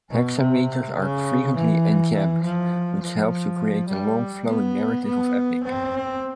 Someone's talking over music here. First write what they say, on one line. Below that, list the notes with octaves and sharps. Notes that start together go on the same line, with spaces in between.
Hexameters are frequently enjambed, which helps to create the long, flowing narrative of epic.
B2
C3
C#3
E3
E3
F3
F3
G3
B3
B3
C4